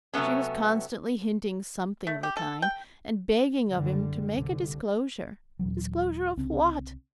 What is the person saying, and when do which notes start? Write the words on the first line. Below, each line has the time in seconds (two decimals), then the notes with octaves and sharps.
She was constantly hinting something of the kind; and begging of him to make a disclosure--disclosure of what?
0.13 C3 F#3 A3 B3 C#4
2.07 A3
2.23 G4
2.37 A4
2.62 G5
3.69 F#1 D3 G3
4.32 C2 D3
5.59 D#1 F2 E3 F#3
6.37 C2 C#3 C4 D4